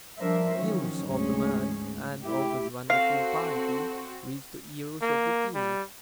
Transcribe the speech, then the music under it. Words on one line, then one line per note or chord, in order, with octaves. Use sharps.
News of the man and of his wonderful piety reached the ears of the king.
F3 G3 D4 A#4 C5 E5
D#3 F3 F#3 C#4
D2 G#2 C#4 G#4
A3 E4 G4
C4 F#4 A4 F5 C7
A#3
G3